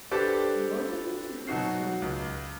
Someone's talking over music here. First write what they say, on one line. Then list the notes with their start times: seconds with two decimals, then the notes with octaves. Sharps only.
He ordered me to do so.
0.11 D4 G4 A4 B4 C5 D5
1.47 B2 F#3 D#4 F#4 C7
2.02 C#2